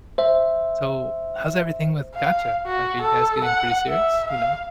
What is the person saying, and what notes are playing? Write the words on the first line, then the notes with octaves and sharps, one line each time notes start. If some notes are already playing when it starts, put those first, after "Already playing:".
"So, how's everything with Katya, like, are you guys getting pretty serious?" You know,
C5 E5
F5
F#4
A4
F#5
E5
F5